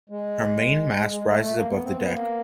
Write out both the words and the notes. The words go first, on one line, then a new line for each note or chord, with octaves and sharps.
Her main mast rises above the deck.
G#3
G#3
G#3
A3
A3
A#3
B3
C4
B3
A#3